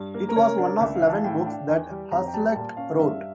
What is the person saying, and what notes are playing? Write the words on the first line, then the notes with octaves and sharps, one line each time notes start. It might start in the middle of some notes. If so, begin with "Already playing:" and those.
It was one of eleven books that Hasluck wrote.
Already playing: G2
A#3 A#4
A#4
C#3 C#5
D4 D5
C#2 E5
F5
E3
A5
A2 G5
D4
E2
G3
F2 A#5
G5
G3 A5
A#2 A5
C#4 F5
F5
G2 E5